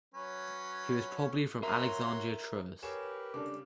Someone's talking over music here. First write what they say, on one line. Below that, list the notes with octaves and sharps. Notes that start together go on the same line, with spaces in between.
He was probably from Alexandria Troas.
F#3 C#4 B4
F#3 A#4 E5 A#5 C6
G4 G#4 A#4 B4 C#5 E7
C#3 G3 D4 A4 D6